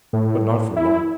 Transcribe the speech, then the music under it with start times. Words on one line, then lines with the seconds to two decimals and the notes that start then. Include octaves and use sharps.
But not for long.
0.13 A2
0.76 E4